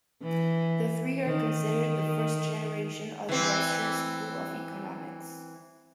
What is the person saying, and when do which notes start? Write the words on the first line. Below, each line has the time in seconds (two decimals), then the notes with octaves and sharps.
The three are considered the first generation of the Austrian School of Economics.
0.23 E3
1.26 D#3
3.29 E3 C4